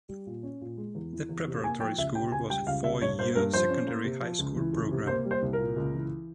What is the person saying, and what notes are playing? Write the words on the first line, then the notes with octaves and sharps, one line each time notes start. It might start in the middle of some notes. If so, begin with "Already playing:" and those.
The Preparatory School was a four year secondary high school program.
G3
A#2
C#4
A#2
G#3
E2
E3
E2
C3
A#3 G#5
F3 G5
C#2 E5
C3 G5
C#2 G#5
G3 G5
C#2 F5
C3 E5
G2 C#5
A#3 C5
G2 A#4
F3 C5
C#4
A#3
C3
F3
C#2
E3
C#2
C3
A#3 C5
G3
C5
C2
A#4
A#2
C#2
E3